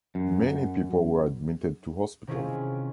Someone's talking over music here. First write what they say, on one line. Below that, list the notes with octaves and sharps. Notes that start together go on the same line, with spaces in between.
Many people were admitted to hospital.
F#2
C3 D#3 C#4 E4 F4 G#4